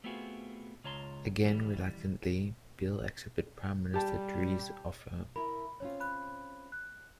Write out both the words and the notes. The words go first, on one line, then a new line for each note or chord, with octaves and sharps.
Again reluctantly, Beel accepted Prime Minister Drees' offer.
A3 B3 C4 F4 F#4 G#4
C#2 F4 C#5 A5 A#5 C6
D#2 E3 G3
G3 G4 A5
E4 A#4 B5
C4 C#4 F4 C#5
B5 F#6
F#6